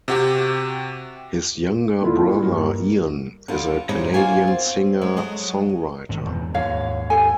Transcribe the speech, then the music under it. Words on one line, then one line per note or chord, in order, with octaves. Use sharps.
His younger brother Ian is a Canadian singer-songwriter.
C3 F#4 G4
A#2 D3 D4 E4 F4
G2 A#3
D3 G3 D4 F4
G2 C3 G#3 C#4 D#4
A#3 F4 F#4 G#5
C4
G#3
F#3 G#3 A3 D#5
G#1 A2
E1 E2 A#2
D#2 G#2 C#5 F5
G4 A4 G#5